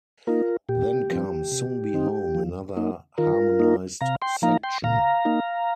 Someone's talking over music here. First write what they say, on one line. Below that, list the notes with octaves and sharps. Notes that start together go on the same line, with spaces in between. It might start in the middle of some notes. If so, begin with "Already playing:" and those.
Then comes "Soon Be Home", another harmonised section.
A#3 D#4 F4 A#4
A#2 G4
F3 C4
C3
D#3 C4 D#4
F3
A#3 D#4
D#3 F4 A#4
A#3 D#4
C3 F5 A#5
G5 C6
F3 A#3 D#4 F5 A#5
G5 C6
A#2 F5 A#5
A#3 D#4